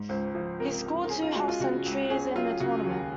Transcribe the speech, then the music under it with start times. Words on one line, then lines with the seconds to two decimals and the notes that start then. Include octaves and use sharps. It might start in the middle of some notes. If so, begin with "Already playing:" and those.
He scored two half-centuries in the tournament.
Already playing: G#2
0.09 C#2 C5
0.35 F3
0.59 C3 A#4
0.86 C#2
1.05 A#4
1.10 C#4 G#4
1.22 F4
1.35 G#3 F#4
1.48 F4
1.60 C#3 F#4
1.86 C#2
2.10 C#4 G#4
2.36 F#3 F4
2.60 C#3 F#4
2.85 D#2